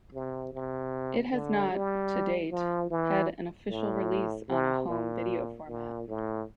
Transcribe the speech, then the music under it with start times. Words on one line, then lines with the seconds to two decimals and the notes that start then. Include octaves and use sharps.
It has not, to date, had an official release on a home video format.
0.14 C3
0.53 C3
1.32 D3
1.72 G3
2.51 F3
2.90 E3
3.69 A2
4.48 C3
4.88 A#2
5.68 A#2
6.08 A2